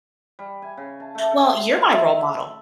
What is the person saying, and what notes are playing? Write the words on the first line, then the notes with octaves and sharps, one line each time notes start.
"Well, you're my role model"
G3
G#5
C#3
A5
A3
A4
C6
A4
E5